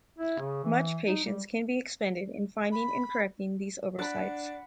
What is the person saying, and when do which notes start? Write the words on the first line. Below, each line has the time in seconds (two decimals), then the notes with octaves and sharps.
Much patience can be expended in finding and correcting these oversights.
0.19 E4
0.38 C#3
0.64 E3
1.07 D#4
1.24 G3
2.72 B5
3.99 D4 F#5 B5